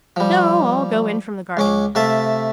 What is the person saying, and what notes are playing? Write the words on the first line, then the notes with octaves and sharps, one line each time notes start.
"No, I'll go in from the garden."
F3 G3
C#2 C#4 D6
C3 A3 E5 F5 A5